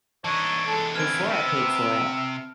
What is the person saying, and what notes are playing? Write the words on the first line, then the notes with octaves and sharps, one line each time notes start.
before I paid for it.
E3 D4 D#4 C#5 D#5 A5
G#3 A4
B3 C4 G#5 F6 D7
C3 E5